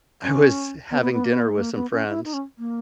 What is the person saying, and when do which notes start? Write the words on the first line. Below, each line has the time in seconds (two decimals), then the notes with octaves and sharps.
I was having dinner with some friends,
0.23 C#4
0.91 B3
1.02 B3
1.13 B3
1.24 A#3
1.33 B3
1.42 A#3
1.49 G#3
1.58 A#3
1.75 B3
1.91 C#4
2.08 E4
2.25 D#4
2.34 C#4
2.58 A#3